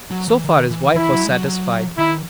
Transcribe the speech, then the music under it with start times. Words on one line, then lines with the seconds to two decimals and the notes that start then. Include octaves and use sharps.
So far his wife was satisfied.
0.11 F#3
0.28 E3
0.45 D#3
0.70 E3
0.95 E3 E4
1.12 F#3
1.25 G#3
1.30 F#3
1.46 F#3
1.97 D#3 E4